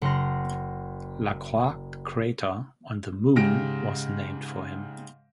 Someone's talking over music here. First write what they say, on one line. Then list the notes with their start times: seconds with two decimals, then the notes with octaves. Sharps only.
Lacroix crater on the Moon was named for him.
0.02 F#1 F#5 C6 F6 A#6
3.36 G#2 C#3 G4 F6 A#6 D7